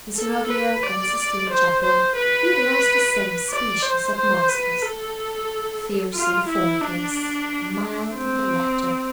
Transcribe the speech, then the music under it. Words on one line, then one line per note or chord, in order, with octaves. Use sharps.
The seraglio and the Sistine Chapel utilized the same species of monsters; fierce in the former case, mild in the latter.
A4
B4
D5
C5
C5
B4
D5
C5
C5
B4
A4
F4
E4
D4
C4